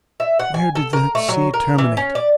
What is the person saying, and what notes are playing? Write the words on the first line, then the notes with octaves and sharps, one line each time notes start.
Where did that sea terminate?
E5
F#5
G#5
A4
A#4
A3
F#3
A#4
E3
C#4
D5